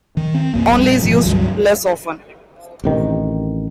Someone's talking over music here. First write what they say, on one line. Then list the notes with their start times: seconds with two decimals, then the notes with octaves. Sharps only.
Only is used less often.
0.17 D#3
0.34 C4
0.54 A#1 F2 A#3
0.72 A#1 G3
1.02 G#2 B2 D#3 F3
1.26 C#2 G2 F#3 G3
2.84 A1 C3 D#3